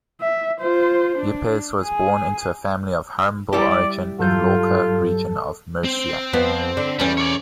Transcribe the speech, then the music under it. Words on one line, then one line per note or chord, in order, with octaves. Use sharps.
Yepes was born into a family of humble origin in Lorca, Region of Murcia.
E5
F4 C5
D4
G#4 G#5
G3 E4 G4 D5
G2 F#3 F4 A4 G6
C4
F2 B3
D3
E2 G3 C#4
C#5 D5